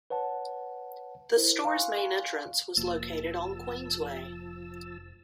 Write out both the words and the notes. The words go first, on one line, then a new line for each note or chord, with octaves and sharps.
The store's main entrance was located on Queensway.
B4 C#5 F#5 A5
E4 A#4 C5
F5 G#5 C6 C#6 F#6
F1 F3 A#3 A5 E6